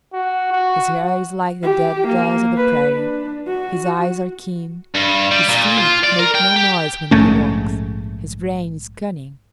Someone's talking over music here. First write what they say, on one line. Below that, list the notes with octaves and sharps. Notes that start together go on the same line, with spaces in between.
His hair is like the dead grass of the prairie; his eyes are keen; his feet make no noise when he walks; his brain is cunning.
F#4
F#4
G4
A#3
B4
D4
F#4
G2
G3
A#2
F4
D5
A#4
G5
G4
A#1 G#2 A3 C#4